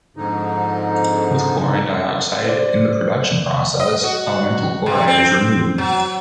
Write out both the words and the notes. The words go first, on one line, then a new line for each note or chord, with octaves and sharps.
With chlorine dioxide, in the production process, elemental chloride is removed.
F2 G#2 D3 D#4
C5 D5
D#5
F#4
C3
C4
F#3